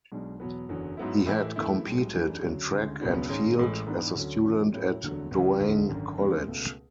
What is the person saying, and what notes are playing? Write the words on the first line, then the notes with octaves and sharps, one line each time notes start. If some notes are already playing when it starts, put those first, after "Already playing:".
He had competed in track and field as a student at Doane College.
B1 B2 G#3 D4
E2 B2 F#3 B3
F#1 E2 D3 F#3
G#2 F#3 B3 E4
A2 E3 A3 E4
E2 D3 A3 E4
B1 A2 G#3
F#2 E3 A3 D4
D2 C#3 F#3
D2 C#3 G#3
C#2 B2 F#3 B3 D4
G#1 G#2 G#3 C#4
A1 A2 G#3
G#2 E3 B3 D4
D2 D3 F#3 C#4
E1 E2 D3 F#3 C#4
A2 F#3 C#4 E4
E1 D2 D3 F#3 A3
C#2 C#3 E3
E1 D2 D3
G#1 F#2 D3
E2 C#3 G#3 D4
C#2 B2 A3